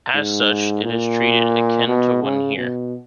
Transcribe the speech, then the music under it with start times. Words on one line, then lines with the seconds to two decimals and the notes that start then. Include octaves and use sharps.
As such, it is treated akin to one here.
0.14 G#2
0.85 A#2
1.88 B2
2.23 C#3
2.57 B2